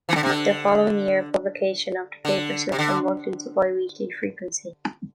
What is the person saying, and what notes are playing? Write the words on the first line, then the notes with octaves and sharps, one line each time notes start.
The following year, publication of the paper switched from monthly to bi-weekly frequency.
E3
D3
C3
D3
D3
C3
D3